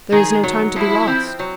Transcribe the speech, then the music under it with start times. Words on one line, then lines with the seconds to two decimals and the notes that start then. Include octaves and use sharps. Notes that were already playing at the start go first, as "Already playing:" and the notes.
"There is no time to be lost."
0.12 D#3 G#4
0.44 F#3
0.76 F3 E4
1.07 C4
1.40 F#3